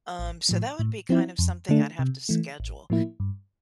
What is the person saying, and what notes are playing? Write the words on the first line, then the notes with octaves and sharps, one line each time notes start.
um, so that would be kind of something I'd have to schedule,
A1
A2 F3
A2
F3 C4 E4
F2
D3 A3 D4
C3
E3 A3
A1
A2 F3 A#3 E4
G2